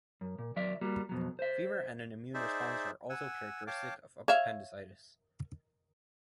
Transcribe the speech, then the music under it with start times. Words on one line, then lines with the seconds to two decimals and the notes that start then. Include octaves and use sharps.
Fever and an immune system response are also characteristic of appendicitis.
0.21 F#2
0.39 A#2
0.56 D#2 F#3 D5 E5
0.81 G3 A#3 F#4
1.09 F2 B2 F#3
1.39 C5 E5
2.34 D#4 G#4 C5 D5 E5
3.10 F#5 G#5 E6
3.67 C#5 F5 G5 A5 D6
4.28 C#5 E5 F5